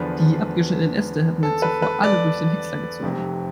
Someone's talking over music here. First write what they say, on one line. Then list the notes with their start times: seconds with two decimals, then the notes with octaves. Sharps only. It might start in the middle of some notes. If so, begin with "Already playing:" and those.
Die abgeschnittenen Äste hatten sie zuvor alle durch den Häcksler gezogen.
Already playing: E2 D3 F3 B4
1.43 A4
1.62 B4
1.82 B4
2.03 D5
3.03 F1 F2 C3